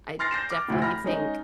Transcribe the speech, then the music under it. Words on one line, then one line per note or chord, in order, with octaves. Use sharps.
I definitely think
C6 F6 A6 A#6 C7
G6 A#6 C7 E7
D6 F6
F1 D2 A2 E4
B5 F6 A#6
G#3 C#4 D#4 D#5